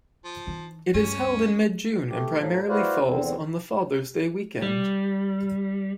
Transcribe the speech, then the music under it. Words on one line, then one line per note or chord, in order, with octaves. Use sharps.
It is held in mid-June and primarily falls on the Father's Day weekend.
F3
E3 D#4
D2 G2 C#4
A3 G4
A2 F3 F#3
E4 F#4 B4 C5 D5 F5
E2 D3 C4
G3